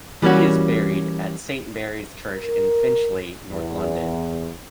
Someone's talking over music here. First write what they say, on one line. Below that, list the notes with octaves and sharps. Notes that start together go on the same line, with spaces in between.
He is buried at Saint Mary's church in Finchley, north London.
E3 G3 A#3 C#4 F#4
A#4
E2